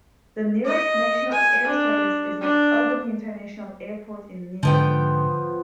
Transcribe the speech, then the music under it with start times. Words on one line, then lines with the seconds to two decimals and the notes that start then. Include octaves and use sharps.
The nearest national air service is at Albany International Airport in New York.
0.65 D#5
1.31 G#5
1.67 D4
2.40 D4
4.63 G#2 D3 F3 B3 G5